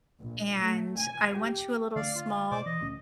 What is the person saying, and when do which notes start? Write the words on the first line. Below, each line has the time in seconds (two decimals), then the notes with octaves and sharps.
and I went to a little small
0.19 A#1
0.59 A3
0.98 G#5
1.35 G4
1.96 D3 A3 D5 F5
2.15 F4
2.51 B2 C5 D5 D6
2.66 E3 D#5
2.81 D2 A#2 C#4